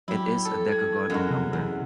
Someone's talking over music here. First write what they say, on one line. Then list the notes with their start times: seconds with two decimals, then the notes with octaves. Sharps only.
It is a decagonal number.
0.08 F#3 E4 G4
0.45 A4
0.70 G#6
1.10 F#2 G#3 F#4
1.30 C3
1.53 E2